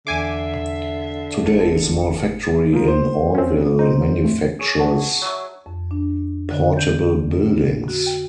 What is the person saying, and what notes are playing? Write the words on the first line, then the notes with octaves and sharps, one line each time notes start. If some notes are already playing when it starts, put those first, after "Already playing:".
Today a small factory in Orrville manufactures portable buildings.
E2 D3 E5 G#5 D6 C7
G1 A5 C#7
F3 A#4
C5
C4 C#4
C4 D#4
F2 A2
G#4 C#5
F#5 A5
F#3 E5
F2
D4
D3
G6
F#4
G5